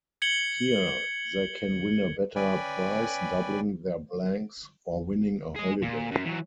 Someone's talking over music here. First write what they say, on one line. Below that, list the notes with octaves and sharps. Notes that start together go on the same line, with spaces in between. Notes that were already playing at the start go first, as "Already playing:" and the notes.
Here, they can win a better prize, doubling their blanks or winning a holiday.
G#6 C#7 F#7 G7
C#4 B4 D5 G5 G#5 B5
G#4 D#5
A#2
F#2
E3 F#3